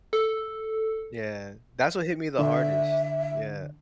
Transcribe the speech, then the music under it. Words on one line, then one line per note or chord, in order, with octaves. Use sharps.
Yeah. That's what hit me the hardest. Yeah.
A4
D3 E5